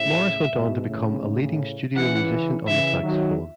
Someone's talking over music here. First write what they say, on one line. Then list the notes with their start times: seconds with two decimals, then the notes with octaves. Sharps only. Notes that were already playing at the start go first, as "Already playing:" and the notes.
Morris went on to become a leading studio musician on the saxophone.
Already playing: A2 C#3 E5
0.53 G#2 B2
0.88 A2 C#3
1.96 C#3 E3 F#5
2.67 C#3 E3 E5
3.03 D#3 F#3